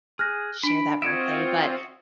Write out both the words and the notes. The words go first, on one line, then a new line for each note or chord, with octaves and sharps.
share that birthday, but
G#4 F6 F#6 A#6
D4 B5 D7
C4 F4 F#4 D#5 E5 G#6 D7